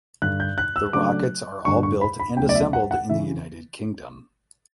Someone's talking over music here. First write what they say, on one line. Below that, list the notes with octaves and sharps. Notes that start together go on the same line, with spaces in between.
The rockets are all built and assembled in the United Kingdom.
G2 D3 G3 F#6
G6
F#6
E6
C#3 F#3 A3 D4 D6
G2 D3 G3 D4 C#6
C#6
B5
B5
D2 C#3 F#3 B3 G5
D5
E5
F#5
F#5
C#3 E3 E5